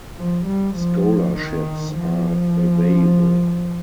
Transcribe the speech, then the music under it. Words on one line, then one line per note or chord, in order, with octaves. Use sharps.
Scholarships are available.
F3
G3
F3
D#3
F3